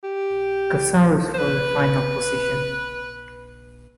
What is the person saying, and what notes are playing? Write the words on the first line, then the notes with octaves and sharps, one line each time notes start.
Kozoriz for the final position.
G4
C5
B4